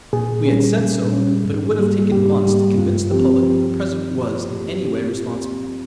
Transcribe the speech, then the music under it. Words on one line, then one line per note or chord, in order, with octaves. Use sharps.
We had said so but it would have taken months to convince the public that the President was in any way responsible.
A#2 G#4
G3 C#4
A#2
G3 C#4
G#2
G3 A#3
G#2 G4
G3 A#3
G2 F4
F3 C4 G4